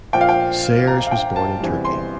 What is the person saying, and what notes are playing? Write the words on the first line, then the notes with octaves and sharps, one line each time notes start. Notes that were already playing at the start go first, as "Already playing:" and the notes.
Sayers was born in Turkey.
A#2 F3 G5
F5
G5
A#5
F5
G5
A5
E2 C3 E3 G3
C6